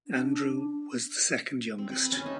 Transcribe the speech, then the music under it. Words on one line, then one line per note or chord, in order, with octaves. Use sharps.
Andrew was the second youngest.
D4
C4
C4 B4
C#4 E4 G#5
D#4 A5